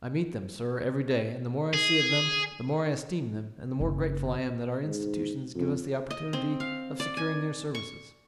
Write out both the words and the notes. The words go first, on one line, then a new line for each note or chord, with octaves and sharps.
I meet them, Sir, every day, and the more I see of them the more I esteem them and the more grateful I am that our institutions give us the opportunity of securing their services.
G#4
F#1 C#3
G#2
F2
D#5
C4
F5
D5
G#5
C#6